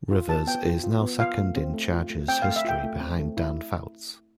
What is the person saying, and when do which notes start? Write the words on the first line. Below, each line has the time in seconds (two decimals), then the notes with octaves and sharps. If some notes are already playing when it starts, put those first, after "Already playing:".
Rivers is now second in Chargers' history behind Dan Fouts.
0.11 F4
0.29 B3 A5
0.47 B3 G5
0.66 F4
0.84 F4
1.02 B3
1.20 F4 F5
1.38 A3
1.56 C4
1.74 A3
1.92 F4
2.10 A3
2.28 C4 G5
2.42 F5
2.47 A3
2.56 E5
2.65 F4 G5
2.83 A3
3.01 C4
3.19 A3
3.37 E4